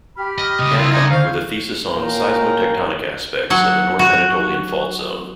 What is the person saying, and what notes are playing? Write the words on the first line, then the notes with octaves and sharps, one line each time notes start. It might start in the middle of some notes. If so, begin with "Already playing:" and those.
Hancock with a thesis on ""Seismotectonic Aspects of the North Anatolian Fault Zone"".
G4 B5 F6
D#5
C2 C#3 D#5
E4 F4
D4 D#4 G5 G#6
C5 F5 C#6
A#2 C#4 A#4 F5 G5 A#5
F#3 F#5
F#4